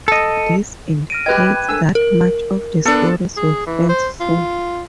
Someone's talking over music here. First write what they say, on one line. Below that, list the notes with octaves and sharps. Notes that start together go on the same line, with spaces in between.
This indicates that much of the stories were fanciful.
A4 D#5
F6 A#6 D7 D#7
G4 B4 D#5 G5 B5 F#6 G#6
D4 A4 A#4 G#5 E6
A#4
B3 D4 A4
G#4
E3
C5
F4